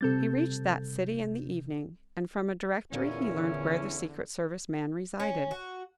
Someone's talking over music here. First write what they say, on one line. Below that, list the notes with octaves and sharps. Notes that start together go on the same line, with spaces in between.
He reached that city in the evening, and from a directory he learned where the secret service man resided.
C3 G3 C4 A4 G6 A6
E2 A#2 D3 C#4 E4 F4 A#4
C#4
F#4